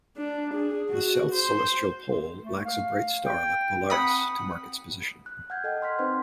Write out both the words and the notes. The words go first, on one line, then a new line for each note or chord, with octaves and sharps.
The south celestial pole lacks a bright star like Polaris to mark its position.
D4
G#4
F#4
C5
A3
F5
G5
C4 F#5 B5 D#6
F#6
F#5 F6 G6 G#6
A4 D#5 F#5 G5
C6 F6 B6
C4 D#4 B4 C5 C6